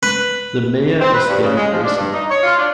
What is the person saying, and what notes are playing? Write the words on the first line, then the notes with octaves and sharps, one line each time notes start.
The mayor is David Willson.
B4
C4
B4
G2
C#3
G#3
F3
D4
G2
D#4
C#5
F4
D4